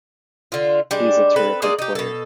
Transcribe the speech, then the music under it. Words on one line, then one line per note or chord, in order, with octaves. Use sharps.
He's a terrific player.
D3 F4
G3 G#3 D4
C4 A4 B4
G#3 A#3 G#4 D5
D#4 G4
B2 A4